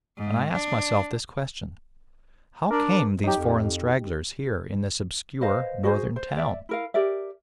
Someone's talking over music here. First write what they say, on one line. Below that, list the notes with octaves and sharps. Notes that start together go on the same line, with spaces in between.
And I asked myself this question: 'How came these foreign stragglers here in this obscure northern town?'
G#2
D4
D4 A#4
F#3 D#4 G4
F2
B4 C5 D#5 F5
F#4 G#4 C5
C5
D5 E5
E4 A#4 F5
G4 A#4 D5 E5